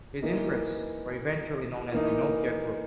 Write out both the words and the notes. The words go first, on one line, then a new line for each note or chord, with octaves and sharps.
His interests were eventually known as the Nokia group.
E3 A#3 D#4
E3 A#3 D#4